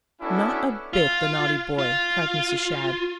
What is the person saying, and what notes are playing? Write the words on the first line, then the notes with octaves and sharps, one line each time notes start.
"Not a bit, the naughty boy!" cried Mrs. Shadd.
B3 C#4 D4 E4 F#4 A4
F4
F4